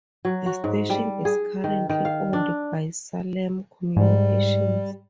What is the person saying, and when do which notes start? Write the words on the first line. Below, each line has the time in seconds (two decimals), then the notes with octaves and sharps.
The station is currently owned by Salem Communications.
0.25 F#3
0.46 F#4
0.64 G#2
0.90 G3
1.25 G#4
1.64 D#3
1.89 D#3
2.05 F5
2.33 D4
3.96 G#2 G3